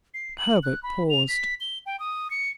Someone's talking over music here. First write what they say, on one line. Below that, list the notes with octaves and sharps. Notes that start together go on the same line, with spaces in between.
Herbert paused.
C7
F#7
F#6
B5
F7
B6
G7
G5
D#6
C#7